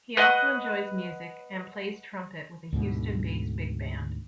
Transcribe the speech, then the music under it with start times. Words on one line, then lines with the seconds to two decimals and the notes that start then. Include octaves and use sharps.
He also enjoys music, and plays trumpet with a Houston-based big band.
0.17 B4 D#5 F#5
2.73 D2 G#2 B2 D3